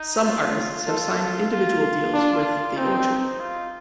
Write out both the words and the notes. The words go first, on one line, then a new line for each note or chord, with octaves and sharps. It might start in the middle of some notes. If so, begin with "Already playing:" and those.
Some artists have signed individual deals with The Orchard.
Already playing: D#4
F4
A4
F4
D4
C4 D#4
D#4
D#4
F4